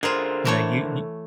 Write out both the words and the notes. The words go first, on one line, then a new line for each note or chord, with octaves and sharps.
you know you you
D3 F4 G#4 A#4 C5
E3 A3 C#5